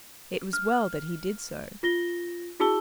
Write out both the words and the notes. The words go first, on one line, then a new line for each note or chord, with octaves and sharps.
It was well that he did so.
F6
F4 A#6 G7
E4 F#4 G#4 A5 E6 G7